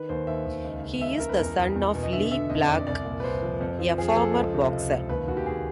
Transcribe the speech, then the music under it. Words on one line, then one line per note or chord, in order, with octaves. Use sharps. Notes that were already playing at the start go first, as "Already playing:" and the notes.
He is the son of Lee Black, a former boxer.
Already playing: D#3 B4
D#2 C5
D#2 E5
D#2
C#2
C#3
C#2 E5
C#2 A#4
B4
E2 A#4
E2
E2
B2
D#5
D3 E5
D3 E5
F2 D#5
D3 D5
C2 D5
A#2
B4
C2 C5
F3
F2
F3
F3 G#4
G#4
F3 A4
C#2
C3
C#2
C#2
D#2 B4
D#2 F#4
G4
D#2 G#4